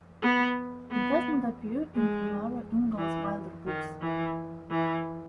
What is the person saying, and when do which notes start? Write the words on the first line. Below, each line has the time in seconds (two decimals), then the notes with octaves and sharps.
It does not appear in the Laura Ingalls Wilder books.
0.22 B3
0.91 B3
1.94 G#3
2.98 E3
3.67 D#3
4.02 E3
4.71 E3